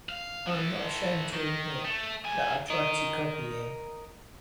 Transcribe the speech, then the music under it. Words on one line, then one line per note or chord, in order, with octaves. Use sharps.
I'm not ashamed to admit, that I tried to copy him.
F5
E3 A4
D#3
A3
C3 G#5
A#4 D#5